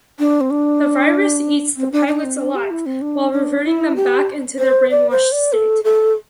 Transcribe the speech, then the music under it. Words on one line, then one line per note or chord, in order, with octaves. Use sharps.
The virus eats the Pilots alive while reverting them back into their brainwashed state.
D4
C4
D4
C4
D4
D4
C4
D4
G4
E4
C4
D4
D4
E4
G4
C5
D5
C5
D5
A4
A4